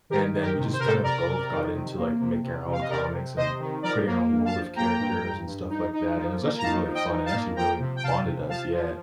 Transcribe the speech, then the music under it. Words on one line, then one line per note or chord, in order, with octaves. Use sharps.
And then we just kinda both got into, like, making our own comics and creating our own world of characters and stuff like that, and it was actually really fun, and actually really bonded us. Yeah.
D#3 G4 A#4
D#3
G4 A#4
C3
C5
C3 A#4
A4 C5
C3 A#4 D5
C3
D#3
C3
A#3
C3
C3
C3
F5
D#5
C3 A#4 D5
C3
C3 C5 D#5
D#3
F3 A#4 D5
A#3
G2
F5 A5
F3
A#3 G5 A#5
G2
G2
G2
D#4
D#4
F3
A#3
A#5
D#4 F5 A5
F3
D#5 G5
D#4
F5 A5
A#3
F3 G5 A#5
C3
G5
C3 F5 A5
C3
F3 F5 A5
F3